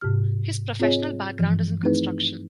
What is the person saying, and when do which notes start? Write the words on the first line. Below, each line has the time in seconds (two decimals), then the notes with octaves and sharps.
His professional background is in construction.
0.01 G#2 C3 G4 F6
0.80 C4 F4 G#4 C#5 D#5 G#5
1.38 G2 E3 F3
1.83 A3 C4 D#4 E4 G#4 B4